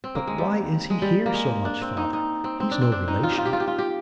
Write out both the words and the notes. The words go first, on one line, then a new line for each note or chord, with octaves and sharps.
But why is he here so much, father, he's no relation.'
C4
A#3
G#3
G3
G#3
G3
A#3
G#3
D4
C4
D#4
D#4
C4
C4
D4
C4
D4
D#4
F4
G4
F4
G4
F4
G4
F4
G4